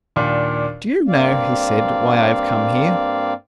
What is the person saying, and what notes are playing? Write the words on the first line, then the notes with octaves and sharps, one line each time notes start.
"Do you know," he said, "why I have come here?"
D#2 A#2 D4
G2 A#3 C4 D5 F5